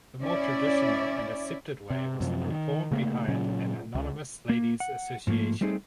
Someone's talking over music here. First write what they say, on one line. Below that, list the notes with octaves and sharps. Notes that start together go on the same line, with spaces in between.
The more traditional and accepted way was to perform behind an anonymous lady’s association.
C#4 E4 D5
C3
F#2 C3 F3
D#3
C#3 A3 A#3
A#2 C#3 F#3 C#4
C#2
A#3
F#5
G#2 F3 A3 A#3
G3 A3 C4 D#4 G#4